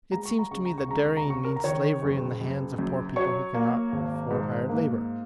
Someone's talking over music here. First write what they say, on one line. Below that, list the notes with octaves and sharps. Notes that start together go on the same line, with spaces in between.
It seems to me that dairying means slavery in the hands of poor people who cannot afford hired labour.
G#3 A#5
C#6
A#5
C#2 C#6
A#5
C#6
C#2 A#5
C#6
A#5
C#3 C#6
A#4 A#5
A#5
D#3 C#5 C#6
F#1
F#1
F#2
F#3 C#5 C#6
A#3
G#1
G#2
A#3